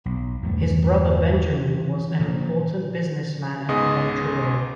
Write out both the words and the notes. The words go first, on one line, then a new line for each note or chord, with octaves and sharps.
His brother Benjamin was an important businessman at Montreal.
B1
E2 G2 A3
E3
A#2 F3
C#2 G#2 B3 G#4 D#5